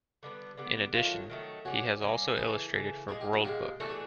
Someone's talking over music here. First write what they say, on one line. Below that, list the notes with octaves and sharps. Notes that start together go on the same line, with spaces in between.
In addition, he has also illustrated for World Book.
D3 G3 B3
D3 G3 B3
D#3 F#3 A3 F4
D#3 F#3 A3
G3 A#3 C#4 F#4
G3 A#3 C#4
C#3 E3 A3 G#4
C#3 E3 A3
A#2 F3 G#3 G#4
G4
F#4
A#2 F3 G#3 G4
E3 A3 D4 F#4 A4
G#4